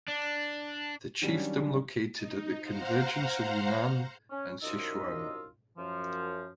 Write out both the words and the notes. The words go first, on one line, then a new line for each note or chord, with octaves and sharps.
The chiefdom located at the convergence of Yunnan and Sichuan.
D4
D#3 F#3 G3 C#4 D4
D#4
C5 F5 F#5 A#5
C#4
C2 F#2 D#4 F4 D#5 E6
F#2 F3